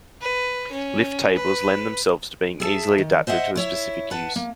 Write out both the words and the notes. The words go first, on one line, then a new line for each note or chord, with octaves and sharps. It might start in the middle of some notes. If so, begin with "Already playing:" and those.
Lift tables lend themselves to being easily adapted to a specific use.
B4
C#4
B4
G#4 E5 A5
D#3
C5 D#5 E5 F#5
E4 C#5 E5
B4 F#5 A5
A#3